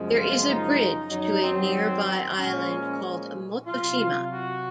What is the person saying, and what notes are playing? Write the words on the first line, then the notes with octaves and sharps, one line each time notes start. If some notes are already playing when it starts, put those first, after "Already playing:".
There is a bridge to a nearby island called Motoshima.
Already playing: F#2 C#3 F3 G#3
F4
D#4
F#2 D#3 F#3 D#4
C4
A#2 F3 G#3 C#4
C3 F#3 F4
F#4